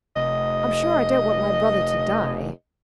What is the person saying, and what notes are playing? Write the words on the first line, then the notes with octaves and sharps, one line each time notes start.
"I'm sure I don't want my brother to die."
F1 D#5